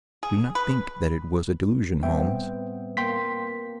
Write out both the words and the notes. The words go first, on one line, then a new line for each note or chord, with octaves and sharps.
Do not think that it was a delusion, Holmes.
G#4
B4
A2 G3 B3 C4 E5 G5
A#3 G5 C6 B6